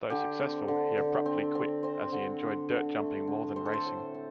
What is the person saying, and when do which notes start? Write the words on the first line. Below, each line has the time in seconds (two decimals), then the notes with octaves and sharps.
Though successful, he abruptly quit, as he enjoyed dirt jumping more than racing.
0.10 D3 G4
0.39 C4
0.68 D3
0.97 D3
1.26 C4
1.55 C4
1.83 C4 C5
2.12 D3
2.41 D3
2.70 D3
2.99 A3
3.27 D3
3.56 C4 C5
3.65 A4
3.73 C5
3.85 A2
4.14 C4